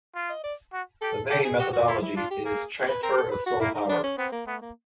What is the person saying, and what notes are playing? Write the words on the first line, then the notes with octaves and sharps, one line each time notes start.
The main methodology is transfer of Soul Power.
F4
D#5
D5
F#4
G4 A4
G4 A4
G#4
F#4 G4
F#4
E4 F4
E4
D4 F4
G4
A#3 G#4
B4
C4 A#4
A4
B4
F#4
A#3 E4
D#4
B3 D4
C#4
B3 C4
A#3
A3 B3
A#3